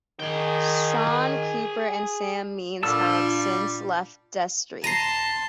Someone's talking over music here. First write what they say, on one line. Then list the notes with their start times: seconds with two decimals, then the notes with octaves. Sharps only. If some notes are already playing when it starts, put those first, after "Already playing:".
Shaun Cooper and Sam Means have since left Destry.
0.20 D#3 G#4 G5
2.83 A#2 G3 D4 F4 F#4 A5 E6
4.84 D#1 A5 A#5 C6 C7 D#7